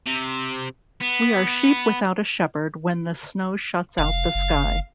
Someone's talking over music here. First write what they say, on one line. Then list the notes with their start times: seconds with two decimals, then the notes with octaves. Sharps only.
We are sheep without a shepherd when the snow shuts out the sky.
0.07 C3
1.01 B3
3.98 F1 F5
4.35 F#1